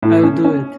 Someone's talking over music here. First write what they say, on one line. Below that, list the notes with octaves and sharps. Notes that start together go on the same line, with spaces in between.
I'll do it.
A2
C#4
C#4